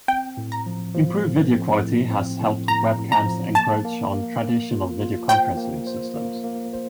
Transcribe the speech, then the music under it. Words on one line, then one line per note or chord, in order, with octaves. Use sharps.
Improved video quality has helped webcams encroach on traditional video conferencing systems.
C4 G5
A2
A#5
F3
F3
A2
C4
A2
C4
A2
A2 A#5
A2
A#5
F3
A#3 A5
A#3
A#3
A#3
F4
F4
C5 G5
A#3
C5
A#3
A#3
C5